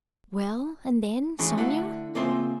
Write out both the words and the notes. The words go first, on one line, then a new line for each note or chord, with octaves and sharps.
"Well, and then, Sonya?..."
E3 G#3 A3 C#4 E4
D3 A3 E4 D5 F5 F#5
C#3 A#3 C4 F4 E5 C6